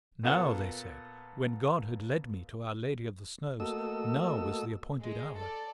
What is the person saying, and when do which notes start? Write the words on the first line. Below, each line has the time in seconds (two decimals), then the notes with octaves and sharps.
Now, they said, when God had led me to Our Lady of the Snows, now was the appointed hour.
0.23 A#2 B3 F4 A4 F#5 A5
3.60 A3 A#3 F#4 A4 D#5 E6
5.00 G#3
5.37 A4 D5